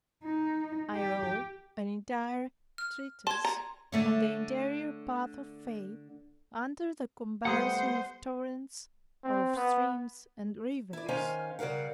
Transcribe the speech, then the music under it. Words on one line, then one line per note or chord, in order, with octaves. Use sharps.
I wrote an entire treatise on the interior path of faith, under the comparison of torrents, or of streams and rivers.
D#4
G4
F6
A5 C6 G#6
A#5
D3 A3 C#5
G3 A3 B3 G4 C5 F#5 D#6
C4
B3
E4 D5
D#3 C#4 C5 F5 G#5
C#3 G3 A#4 F5 F#5